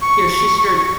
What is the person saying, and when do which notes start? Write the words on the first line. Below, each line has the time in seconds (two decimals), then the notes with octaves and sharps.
you know, she started
0.02 C#6